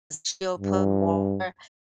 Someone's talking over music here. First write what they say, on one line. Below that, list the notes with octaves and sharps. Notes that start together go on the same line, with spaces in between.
she'll put more
G2